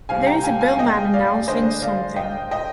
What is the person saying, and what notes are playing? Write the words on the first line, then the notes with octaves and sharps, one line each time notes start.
There is a bellman announcing something.
C3 G3 C4 F5 G#5
G5 A#5
F5 G#5
F5 G#5
D#5 G5
D5 F5
D3 G#3 D4 C5 D#5
D5 F5
D#5 G5
D#5 G5